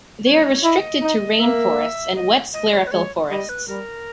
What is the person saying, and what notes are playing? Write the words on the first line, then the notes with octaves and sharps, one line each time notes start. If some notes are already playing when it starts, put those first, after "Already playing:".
They are restricted to rainforests and wet sclerophyll forests.
C#5
E4 D#5
D#4
A#3 E5
D#5
D#5
C#5
B4
G#3 C#5
G3 D#5
B4
G3 A#4